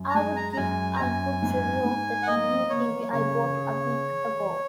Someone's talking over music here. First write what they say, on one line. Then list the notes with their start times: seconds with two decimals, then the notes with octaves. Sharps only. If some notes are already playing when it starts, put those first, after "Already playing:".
I would give a good review of the new TV I bought a week ago.
Already playing: F#2
0.09 A#5
0.14 G#3 G#5
0.36 A#5
0.53 A#5
0.57 F#2 G#5
0.96 A#5
1.00 F#2 G#5
1.43 G#2
1.85 G#2
2.23 F#5
2.27 A#3 D#5
2.69 A#3 C#5
3.12 C#3 C#5
3.55 G#4